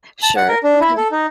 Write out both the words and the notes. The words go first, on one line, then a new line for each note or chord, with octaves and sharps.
Sure, okay.
A5
F#5
A#4
D4
E4
A4
D#4